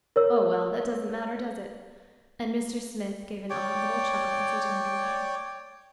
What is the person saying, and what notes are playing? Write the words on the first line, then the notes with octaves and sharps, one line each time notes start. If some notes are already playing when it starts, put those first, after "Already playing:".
"Oh, well, that doesn't matter, does it?" And Mr. Smith gave an odd little chuckle as he turned away.
A#4 C#5 E6
C#5 D5 G5